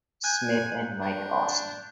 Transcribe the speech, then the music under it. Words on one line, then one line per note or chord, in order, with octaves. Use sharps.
Smith and Mike Awesome.
G#5 F#6 G6
D4